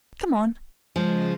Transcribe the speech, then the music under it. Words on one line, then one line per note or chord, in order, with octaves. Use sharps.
Come on.
C#3 F3 G#3